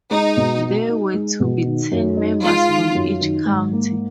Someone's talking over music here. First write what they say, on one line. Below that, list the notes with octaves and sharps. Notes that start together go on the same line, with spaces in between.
There were to be ten members from each County.
G#3 D#4
B2
F#4
D#4
G#3
B2
D#3
F#2
D#4
G#3 F4
D#3
F#2
D#3
G#2
A#3